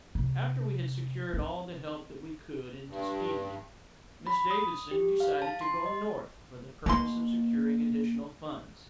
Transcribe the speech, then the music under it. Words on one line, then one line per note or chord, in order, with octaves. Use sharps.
After we had secured all the help that we could in Tuskegee, Miss Davidson decided to go North for the purpose of securing additional funds.
C3
C4
G2
B5
D#6
G4
F5
A5
C6
D#5
B2 A#3 C#4 C6